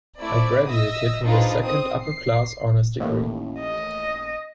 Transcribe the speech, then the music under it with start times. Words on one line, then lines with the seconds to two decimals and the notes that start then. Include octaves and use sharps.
I graduated with a second upper-class honours degree.
0.20 A3 C4 E4 D5
0.68 D#5 E5 D#6 E6 A#6
1.24 D4 D#4 F4 G#4 B4 C5
1.62 C4 D#6
2.02 C7
2.99 A1 D#2 A2
3.60 D#5